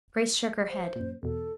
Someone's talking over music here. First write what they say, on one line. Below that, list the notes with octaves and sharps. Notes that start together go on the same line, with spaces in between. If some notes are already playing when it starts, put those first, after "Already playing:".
Grace shook her head.
C5
F#2 A#2
E2 B2 A4